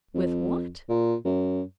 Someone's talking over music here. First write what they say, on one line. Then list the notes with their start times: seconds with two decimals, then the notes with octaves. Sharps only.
"With what?"
0.14 F2
0.89 A#2
1.25 F#2